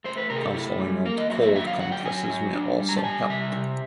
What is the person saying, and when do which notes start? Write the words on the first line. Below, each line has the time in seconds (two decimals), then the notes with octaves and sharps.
Counselling and cold compresses may also help.
0.04 A3 C5
0.18 B4
0.30 C3 A#4
0.36 G#4
0.43 A4
0.54 E4
0.80 G3
1.05 A#3 A#4
1.18 D#5
1.30 F#3 E5
1.42 E5
1.55 D3 E5
1.67 F5
1.79 F#3 F#5
1.92 G5
2.05 F#3 G#5
2.30 F#3
2.54 D4
2.80 G3
2.89 A#5
2.97 A5
3.04 G3 G#5
3.30 C3 E5
3.54 C3